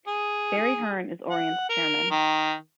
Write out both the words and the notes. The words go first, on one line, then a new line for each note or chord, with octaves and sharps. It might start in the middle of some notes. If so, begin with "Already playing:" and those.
Barry Hearn is Orient's Chairman.
G#4
F#5
A#4
D#3